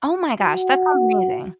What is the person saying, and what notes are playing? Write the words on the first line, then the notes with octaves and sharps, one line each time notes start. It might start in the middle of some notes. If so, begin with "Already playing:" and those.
Oh my gosh, that sounds amazing.
F#4